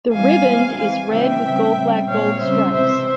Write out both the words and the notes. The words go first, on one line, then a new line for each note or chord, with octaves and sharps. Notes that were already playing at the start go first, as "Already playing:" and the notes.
The "riband" is red with gold-black-gold stripes.
E3 G3 C4 F5 G#5
E3 G#3 C4
E3 G#3 C4 F5 G#5
C#3 E3 G#3 C4 E5 G5
C#3 G3 C4
C#3 G3 C4
A#2 G#3 C4 C#5 F5
C#3 G3 C4 C5 E5
C3 E3 G#3 C4 C5 E5